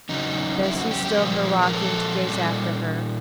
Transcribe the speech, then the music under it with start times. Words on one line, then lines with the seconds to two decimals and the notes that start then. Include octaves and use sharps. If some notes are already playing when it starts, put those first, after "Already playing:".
Bessy stilled her rocking to gaze after her.
0.09 E2 C#3 F#3 D#4
0.63 E4
0.78 F#4
0.91 G4
1.05 G4
1.18 A#2 F3 G#3 G#4
1.62 A#4
1.73 A4
2.27 A#2 G3